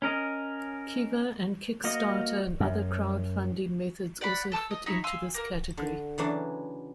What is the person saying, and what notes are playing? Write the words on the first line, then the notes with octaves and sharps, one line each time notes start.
Kiva and Kickstarter and other crowdfunding methods also fit in this category.
C#4 A#4 D#5
A#3 F#4 D#5
F#2
D5 F#5 B5
A4 A5 D6 E6
D#5
D#4 E4 C#5
F5 G#5 C6 E6
A#3 A#4
D3
C#3 E3 F#3 D4